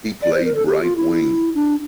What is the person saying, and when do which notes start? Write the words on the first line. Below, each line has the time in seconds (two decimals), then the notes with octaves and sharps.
He played right wing.
0.22 D5
0.34 C5
0.45 A#4
0.56 A4
0.66 G4
0.82 F4
0.97 E4
1.55 D4